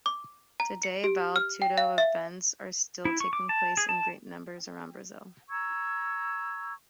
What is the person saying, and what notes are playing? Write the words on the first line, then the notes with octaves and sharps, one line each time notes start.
Today, Vale Tudo events are still taking place in great numbers around Brazil.
D6
A#5
C#7
G4
F6
G5
F5
E5
E4
C#6
D6
A5
G#4
A5
A#5 C#6 E6 G#6